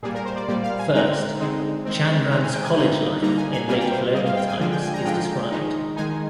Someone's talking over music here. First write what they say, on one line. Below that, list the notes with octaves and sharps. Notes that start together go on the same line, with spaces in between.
First, Chandran's college life in late colonial times is described.
A#2 G3 A#3 G#4
A#4
C5
D5
A#2 G3 A#3 D5
F5
G#5
D3 G#3 C4 D#4 A#5
D3 G#3 C4 D#4
D#3 G#3 C4
D#3 G#3 C4 A#5
G#5
G5
G#5
D3 G3 A#3 D#4
D3 G3 A#3 D#4 A#5
G#5
G#5
C3 G3 A#3 G#5
G5
C5
C3 G3 A#3 D#5
F5
G5
G#5
D3 F3 G#3 D4 F4 G#5
G5
G#5
A#5
D3 F3 G#3 D4 F4 G5
D#3 G#3 D#4
D#3 G#3 D#4 G#5